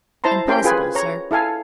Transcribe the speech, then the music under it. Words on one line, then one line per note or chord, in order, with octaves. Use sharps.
"Impossible, sir."
E4 C5 A5 A#5 C6
C#4 G4 A#4 G5 C6
F4 G#4 B4 G#5
C#5 A#5
E4 A4 F5 G#5